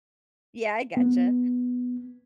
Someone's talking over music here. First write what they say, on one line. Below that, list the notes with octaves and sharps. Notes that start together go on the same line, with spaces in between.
Yeah, I gotcha.
B3